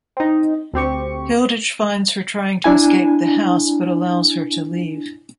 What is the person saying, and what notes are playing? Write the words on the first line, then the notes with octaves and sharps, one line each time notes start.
Hilditch finds her trying to escape the house but allows her to leave.
C4 D#4
D2 C4 G4 C#6
D4 E4 G#5